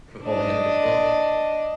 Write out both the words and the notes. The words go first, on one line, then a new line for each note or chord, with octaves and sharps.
For holding up your phone.
D4 D#5